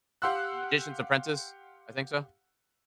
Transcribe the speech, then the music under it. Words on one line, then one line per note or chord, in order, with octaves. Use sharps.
The Magician's Apprentice? I think so.
G4 F5 F#5 C6 E6 F#6